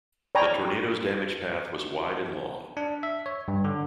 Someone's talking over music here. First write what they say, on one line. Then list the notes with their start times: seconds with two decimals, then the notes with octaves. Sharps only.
The tornado's damage path was wide and long.
0.35 C#5 D5 G5 G#5 A#5 B5
2.77 D4
3.03 E5
3.26 C#5
3.48 G2
3.64 D3